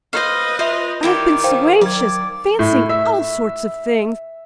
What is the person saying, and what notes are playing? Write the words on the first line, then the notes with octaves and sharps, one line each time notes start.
I have been so anxious, fancying all sorts of things.
B4 C5 D#5 F5
F4 C5 E5 F7
D#3 E4 G4 D5
C5 F5 G5
F#3 D5 D6 G#6
A2
E5